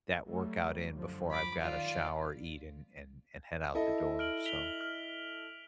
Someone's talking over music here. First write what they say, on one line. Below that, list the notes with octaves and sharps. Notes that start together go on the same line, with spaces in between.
that workout in before I've gotta shower, eat, and and and head out the door, so,
F#3 G3 A3
F#2 D3 F3
B5 D6
D#3 F4 D5
E4 A4 D#5
F6 D7 F#7
B6 F7 G7
F6